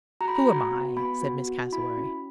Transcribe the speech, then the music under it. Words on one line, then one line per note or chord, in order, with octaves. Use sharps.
"Who am I?" said Miss Cassewary.
F#4 A#5
B5
A#5
F#4
B3
B3 B5
F#4
F#4
E4 B5
C#4